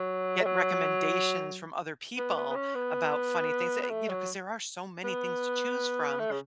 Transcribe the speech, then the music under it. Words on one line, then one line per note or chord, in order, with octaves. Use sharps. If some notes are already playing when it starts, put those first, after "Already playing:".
get recommendations from other people about funny things that you know, 'cause there are so many things to choose from
Already playing: F#3
A3
F#3
B3
B3
B3
C#4
B3
B3
A3
F#3
B3
A3
C#3